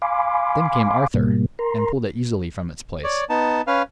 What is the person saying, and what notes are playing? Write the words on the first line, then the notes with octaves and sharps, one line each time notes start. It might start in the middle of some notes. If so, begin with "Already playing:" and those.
Then came Arthur, and pulled it easily from its place.
F5 G#5 B5 C6 D6
G#2 B2 G3 A#3
A#4 A#5 C6
C#5 D5
B3 D#4 A5
C#4 B4 F5